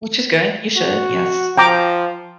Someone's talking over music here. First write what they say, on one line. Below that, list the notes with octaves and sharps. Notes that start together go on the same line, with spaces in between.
Which is good, you should. Yes.
F#4
F3 G5 A#5 D6